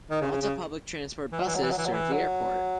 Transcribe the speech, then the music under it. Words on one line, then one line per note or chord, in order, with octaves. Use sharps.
Malta Public Transport buses serve the airport.
D#3
C#3
C#3
C#3
E3
F#3
E3
F#3
E3
F#3
E3
F#3
E3
F#3